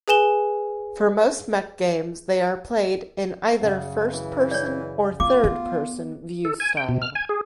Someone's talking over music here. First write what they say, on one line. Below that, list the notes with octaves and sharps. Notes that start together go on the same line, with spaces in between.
For most mech games, they are played in either first-person or third-person view style.
G#4 B4 G#5 E7 G7
F#2 C#3
E3
C#5 D5
B3 F4 D6
B3
A4
G#5
G5
B2
F6
G#5
G#4